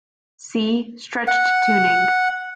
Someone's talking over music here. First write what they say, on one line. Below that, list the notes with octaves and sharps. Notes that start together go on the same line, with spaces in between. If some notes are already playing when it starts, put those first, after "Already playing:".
See: stretched tuning.
F#5